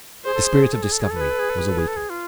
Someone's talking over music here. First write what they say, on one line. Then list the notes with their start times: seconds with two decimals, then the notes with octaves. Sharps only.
The spirit of discovery was awakened.
0.25 G#4 C5
0.34 A4
0.44 G#4
0.54 A4
0.63 G#4
0.73 A4
0.83 G#4
0.92 A4
1.01 G#4
1.10 A4
1.18 G#4 B4
1.30 A4
1.39 G#4
1.50 A4
1.58 G#4
1.69 A4
1.78 G#4
1.88 A4
1.96 G#4
2.10 F4